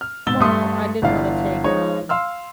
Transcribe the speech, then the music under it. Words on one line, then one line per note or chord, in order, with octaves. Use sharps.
Well, I didn't wanna take, um,
F6
G#2 B2 E6 A6 G7
G2 A3 A4 C6 D#6
G1 E3 D4 E4 F4 F5
F3 G#3 D#4 C#5
F5 C6 E6 F6